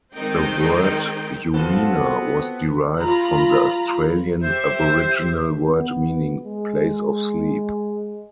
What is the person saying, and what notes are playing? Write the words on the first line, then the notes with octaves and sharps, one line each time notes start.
The word "Umina" was derived from the Australian Aboriginal word meaning "Place of sleep".
D#3 G#3 C4 D#4 G5
B3 C4 F4 F#4 A4 B4
F4 A#5 B5
G4 C5 E5
B3
G#3